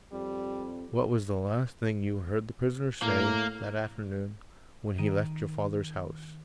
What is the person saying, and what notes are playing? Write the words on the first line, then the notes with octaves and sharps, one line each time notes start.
"What was the last thing you heard the prisoner say that afternoon when he left your father's house?"
F2 G3
A2 A#3 A#4
D#3 D7 D#7